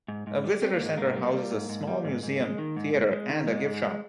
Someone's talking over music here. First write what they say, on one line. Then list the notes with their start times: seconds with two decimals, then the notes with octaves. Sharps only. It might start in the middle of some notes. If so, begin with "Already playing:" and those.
A visitor center houses a small museum, theater, and a gift shop.
0.08 G#2
0.27 G#2
0.44 G3
0.62 G3 C4
0.74 A#3
0.80 G#2
0.85 G#3
0.97 G#2 A#3
1.16 G3
1.34 G3
1.51 G#2
1.69 G#2
1.87 G3
2.05 G#2
2.23 G#2
2.41 G#3
2.58 D#3
2.76 G#2
2.94 G#2
3.12 G#3
3.29 D#3
3.47 G#2 G#3
3.65 G#2
3.83 G#3